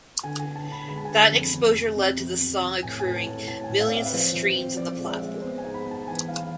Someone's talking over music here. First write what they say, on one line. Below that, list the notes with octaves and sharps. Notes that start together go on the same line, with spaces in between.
That exposure led to the song accruing millions of streams on the platform.
D3 G#5
G#5
D3
A5
D3 B5
G#3 B5
A5
G#5
D3 A5
F2
F2
C3
C3
F2
C3
C3
A2 G#5
G#5
A2
A5
A2
A2 A5
G#5
A2
F5
C4 D5
E5
B4
F3 C5
F3
C4
F3 D5
G#3
E5
D5
G#3
B3 C5
G#5
G#2
B5
B3
A5
E3 G#5
E3 F5